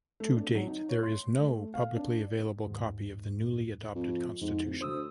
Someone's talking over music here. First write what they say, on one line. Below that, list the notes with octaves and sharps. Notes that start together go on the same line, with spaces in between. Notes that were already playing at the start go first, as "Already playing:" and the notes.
To date, there is no publicly available copy of the newly adopted constitution.
A3
D4
F#3
D#4
C#5
C6
A3
F5
D4
D#2 G#2
F2
F2 G#2
D1
D2 C5 D#6 E6